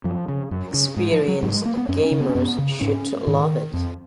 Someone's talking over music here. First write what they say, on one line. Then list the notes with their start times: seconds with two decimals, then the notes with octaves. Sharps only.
Experienced gamers should love it.
0.04 F#2 F3
0.28 C#3
0.51 F#2
0.74 C#3
0.97 G#2
1.12 F3
1.28 F#3
1.43 G#2 F#3
1.54 G#3
1.66 A#3
1.77 B3
1.89 F#2 C#4
2.04 C#4
2.11 C#3
2.20 B3
2.29 C#4
2.35 F#2 B3
2.59 C#3
2.81 G#2 C#4
3.27 G#2 D#3
3.73 F2